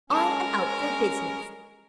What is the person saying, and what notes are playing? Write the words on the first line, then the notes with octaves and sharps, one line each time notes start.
I am out for business.
F#3 G#3 C#4 A4 A#4 A5
G3 B3